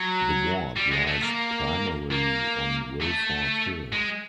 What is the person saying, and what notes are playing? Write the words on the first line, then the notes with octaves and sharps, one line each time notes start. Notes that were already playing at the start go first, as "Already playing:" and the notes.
The ward lies primarily on Wilford Hill.
Already playing: F#3
G3
G#3
A3
A#3
A#3
A3
G#3